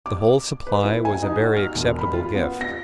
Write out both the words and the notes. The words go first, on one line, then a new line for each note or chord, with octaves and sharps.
The whole supply was a very acceptable gift.
D6
B4
E4
G#5
D#4
F#4
F6
E1
B5
F4
B3
A#6